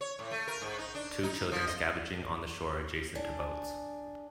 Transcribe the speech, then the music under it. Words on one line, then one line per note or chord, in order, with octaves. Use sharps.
Two children scavenging on the shore adjacent to boats.
C#5
A2
A3
A#4
G#2
D#4
D4
D#4
F3
D#5
D4 G#4